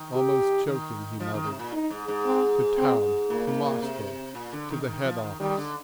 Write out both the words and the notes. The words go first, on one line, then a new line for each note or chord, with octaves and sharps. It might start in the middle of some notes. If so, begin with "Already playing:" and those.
Almost choking, he muttered: "To town--to Moscow--to the head office."
Already playing: D#3
G4
D#3
F3
D#3
C3
A#2
D#4
G#2
G#2
C4
C4
A#2 A#3
G#2
A#2
C3
A#2
D3
D#3
D3
D#3
F3
D#3
D#3 G3
D3